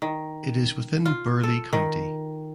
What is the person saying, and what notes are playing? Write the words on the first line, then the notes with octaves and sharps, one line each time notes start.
It is within Burleigh County.
D#3
F4
A4
D#3